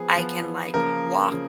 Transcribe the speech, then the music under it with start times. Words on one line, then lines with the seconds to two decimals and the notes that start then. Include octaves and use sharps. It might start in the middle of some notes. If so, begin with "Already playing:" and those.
I can, like, walk
Already playing: F3 B3 G#4
0.16 F3 B3
0.74 C#3 F3 A#3 A#4
1.32 C#3 F3